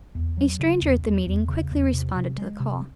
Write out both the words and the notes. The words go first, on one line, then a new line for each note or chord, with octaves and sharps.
A stranger at the meeting quickly responded to the call.
E2
F#3
C#3
E2
E2
E2
C#3
E2
C3
C3
G#3
C3